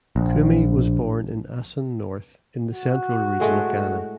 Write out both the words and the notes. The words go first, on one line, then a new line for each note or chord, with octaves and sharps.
Kumi was born in Assin North in the Central Region of Ghana.
A#1
F#4
A2 G#3 A3